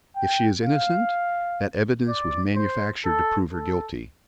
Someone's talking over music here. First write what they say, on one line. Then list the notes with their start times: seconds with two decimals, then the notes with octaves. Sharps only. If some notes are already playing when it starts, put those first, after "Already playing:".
If she is innocent, that evidence was manufactured to prove her guilty.
0.16 G5
0.64 F5
2.08 D5
2.56 C5
3.05 A4
3.52 A4